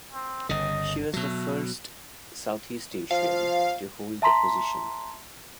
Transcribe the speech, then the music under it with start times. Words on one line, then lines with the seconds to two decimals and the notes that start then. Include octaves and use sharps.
She was the first Southeast Asian to hold the position.
0.12 C4
0.49 G1 C#3 D#5
1.14 B2 F#3 A3
3.11 F3 F5
4.22 E5 A5 A#5 C6 B6